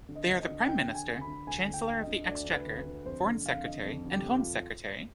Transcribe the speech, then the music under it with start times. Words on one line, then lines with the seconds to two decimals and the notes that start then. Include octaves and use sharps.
They are the Prime Minister, Chancellor of the Exchequer, Foreign Secretary and Home Secretary.
0.09 D3
0.15 D#5
0.28 D2
0.42 D#5
0.49 D3
0.68 D2 G5
0.87 D3
0.94 G#5
1.08 D2
1.21 B5
1.27 D3
1.47 D2 G#5
1.67 D3
1.74 G5
1.87 D2
2.00 D#5
2.07 D3
2.26 D2 D5
2.46 D3
2.53 B4
2.66 D2
2.79 B4
2.86 D3
3.06 F2 C5
3.26 D3
3.45 F2 F5
3.65 D3 D#5
3.85 F2
4.05 D3
4.11 G4
4.25 F2
4.38 F4